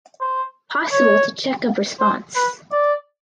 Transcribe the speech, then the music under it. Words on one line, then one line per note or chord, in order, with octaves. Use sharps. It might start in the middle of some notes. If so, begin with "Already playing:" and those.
Possible to check of response.
C5
C#5
C5
B4
D5